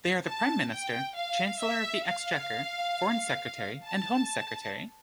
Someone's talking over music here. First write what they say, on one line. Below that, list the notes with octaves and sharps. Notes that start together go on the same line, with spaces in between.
They are the Prime Minister, Chancellor of the Exchequer, Foreign Secretary and Home Secretary.
A5
G5
F5
E5
F5
A5